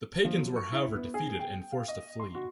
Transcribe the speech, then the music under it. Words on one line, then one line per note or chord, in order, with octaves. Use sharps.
The pagans were however defeated and forced to flee.
F3
F#3
C#6
E4
B3
G#4
G5
F5
D#5
C6
F#4